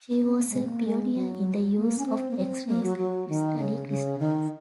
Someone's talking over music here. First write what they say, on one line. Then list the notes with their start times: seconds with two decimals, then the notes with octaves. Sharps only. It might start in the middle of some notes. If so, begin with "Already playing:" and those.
She was a pioneer in the use of X-rays to study crystals.
0.24 C4
0.37 A#3
0.50 G#3
0.64 A#3
0.85 G#3
1.15 F#3
1.76 A#3
1.98 C#4
2.06 C4
2.31 A#3
2.37 C4
2.67 A#3
2.83 F#3
2.98 F#3
3.29 D#3
3.59 C#3
3.88 C#3
4.20 D#3